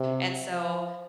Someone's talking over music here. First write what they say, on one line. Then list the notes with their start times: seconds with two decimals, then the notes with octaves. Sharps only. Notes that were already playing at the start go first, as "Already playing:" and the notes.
and so,
Already playing: C3
0.50 F3